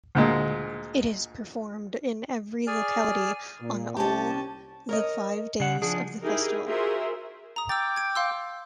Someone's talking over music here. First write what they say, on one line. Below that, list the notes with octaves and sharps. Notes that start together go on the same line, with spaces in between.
It is performed in every locality on all the five days of the festival.
D2 A#2 G#3
G#4 D5 G#5 F6
A#2
C2 C#4 G4 A5
A#4 C#5 D#5
C#3 F#5
F3 D4 G#4
D#4 E4 G4 G#4 A#4
F4 F#4 G#4 A#4 C5 E5
A#5 D#6
G5 D6 E6 A6
G#6 D7
F5 C6 E6